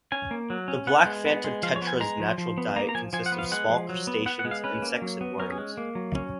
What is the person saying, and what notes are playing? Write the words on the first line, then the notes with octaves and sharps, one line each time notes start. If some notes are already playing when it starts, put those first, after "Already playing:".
The black phantom tetra's natural diet consist of small crustaceans, insects, and worms.
C#4 G#5
A#3
F#3
C#4
B3 F#5
G#3
B3
G#3
F3 F5
C#5
B3
G#5
G#3 A#5
F3
F3
B3
A#3 A#5
A#5
F3 G#5
F3 G#5
F#5
B3
F5
G#3 F#5
F3
F#3
B3
B3 F#5
F#5
G#3
F5
C#4 B4
A#3
F#3
B3
C#4 A#4
G#4
G#3
A#3
F#3
C#4